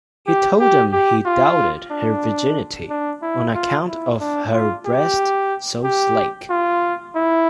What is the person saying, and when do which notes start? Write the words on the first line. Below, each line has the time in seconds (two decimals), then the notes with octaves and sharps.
He told them he doubted her virginity, on account of "her brests so slacke".
0.27 G4
0.60 G4
0.92 G4
1.25 F4
1.91 D4
2.89 D4
3.22 E4
3.54 F4
3.88 E4
4.20 D4
4.53 F4
4.86 G4
5.84 G4
6.50 F4
7.16 E4